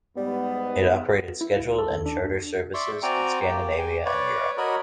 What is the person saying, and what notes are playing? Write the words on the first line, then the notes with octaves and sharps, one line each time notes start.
It operated scheduled and charter services in Scandinavia and Europe.
G#2 G3 B3
E4
C#2
A4
D#2
D4
D5 E5 C6 C#6
C4 F#4 D5 G5 G#5 A#5
A#3 G4
G5 G#5
B4 C#5 D5
F#4 A#4 C#5 D#5 B5